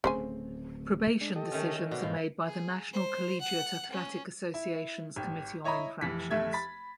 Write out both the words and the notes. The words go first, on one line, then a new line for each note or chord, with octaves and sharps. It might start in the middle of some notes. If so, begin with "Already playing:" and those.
Probation decisions are made by the National Collegiate Athletic Association's Committee on Infractions.
D1 C#3 A3 C4 C5 G#5
G#3 D4
G4 A4 D#5
D#3 A3 C#4
B2 F#4 D5
G#2 F3 B4
G#4
C5
F#5
C#4
E4
G#1 G4
E4 C#5 D#5 A#5 B5
F1 E3 B6
F1 A3 E5 G#6
B5 A6 B6